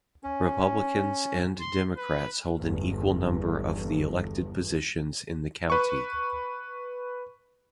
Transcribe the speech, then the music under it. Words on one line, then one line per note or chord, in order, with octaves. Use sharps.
Republicans and Democrats hold an equal number of the elected positions in the county.
C#4
C6
B4
G1 E2
B4 C#6